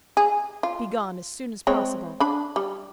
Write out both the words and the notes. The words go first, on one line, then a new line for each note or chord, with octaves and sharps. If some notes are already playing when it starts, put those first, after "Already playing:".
Begone as soon as possible.
G#4
F4
G#3 C4 C#5
D4 B5
G3